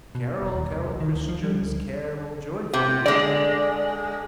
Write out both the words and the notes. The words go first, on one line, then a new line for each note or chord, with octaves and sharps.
"Carol, carol, Christians, Carol joyfully."
B2
E1
D#2
C2
D#3
D2
F3
G3
C#2
C3
D3 G#3 D5